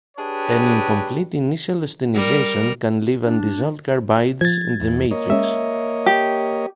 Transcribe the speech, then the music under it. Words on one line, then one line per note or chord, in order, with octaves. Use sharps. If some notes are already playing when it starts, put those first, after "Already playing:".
An incomplete initial austenitization can leave undissolved carbides in the matrix.
D4 G4 G#4 B4 C#5
G3 A#4
D4
F3 G#6 A6
E2
A#3 C#5 D#5
G#3 C#4 E5
G4